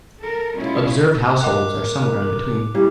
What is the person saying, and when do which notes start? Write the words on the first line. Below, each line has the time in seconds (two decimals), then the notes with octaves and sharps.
Observed households are somewhere in between.
0.21 A4 A#4
0.56 B2 G#3 B3 C#4 E4 F4
1.40 A#4 D#5 F#5 G5 D6 F#6
2.22 A4
2.75 G3 A#3 C#4 E4